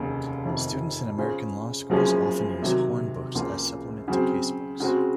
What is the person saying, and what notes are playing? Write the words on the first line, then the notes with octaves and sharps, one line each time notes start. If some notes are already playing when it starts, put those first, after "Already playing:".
Students in American law schools often use hornbooks as supplements to casebooks.
Already playing: F1 D#2 C#3
F1 F2 C3 D#3
C#3 G#3 C#4 F4 C5
F#1 F#2 F3 G#3 C#4
C3 D#3 F#3
C#2 C#3 F3 A#3 F4
C#3 F#3 C4
C#3 G#3 C4 F#4